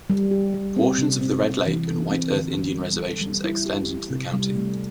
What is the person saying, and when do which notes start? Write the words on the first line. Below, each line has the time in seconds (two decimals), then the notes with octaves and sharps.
Portions of the Red Lake and White Earth Indian reservations extend into the county.
0.10 G3
0.31 G4
0.54 G3
0.77 C4
0.98 C3
1.21 C4
1.43 C3
1.66 E3
1.88 A4
2.11 C4
2.33 D3
2.55 G3
2.77 G3
3.00 A4
3.21 G3
3.44 E4
3.66 G4
3.88 E4
4.10 C3
4.33 G3
4.56 A3